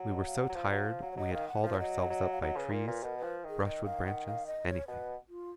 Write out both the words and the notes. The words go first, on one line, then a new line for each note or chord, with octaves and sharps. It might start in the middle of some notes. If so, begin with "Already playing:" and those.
We were so tired we had hauled ourselves up by trees, brushwood branches, anything.
Already playing: F#3
D#5
F5
F#5
F#3
F3 F5
F#3
F3
F#3
C#5
F#3 D#5
D#3 F5
F#5
F3 F5
C#5
F#3 D#5
F#3
F5
F#3 D#5
C#3 B4
B4
A#2 A#4
A#2 B4
B2 A#4
B4
F3
D#3 G#4
D#5
F5
F#5
F5
D#5
C#5
B2 B4
F4